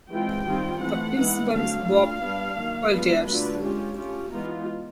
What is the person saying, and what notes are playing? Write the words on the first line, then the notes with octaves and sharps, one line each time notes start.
The principal is Bob Walters.
E3 G#3 C4 F4 G5
D#3 G3 C4 F4
E3 A3 C4 F#5
E3 G#3 B3 D#4
D3 F#3 A3 C4 F5
A3 D4 F4 F5
G3 B3 D4
D#3 F#3 A#3
G#3 B3 D4 F4 B4
D3 F#3 A3 D4 F4 B4
G#3 C#4 F4 G4
A3 C#4 F4 G4
E3 G#3 B3 D#4 F4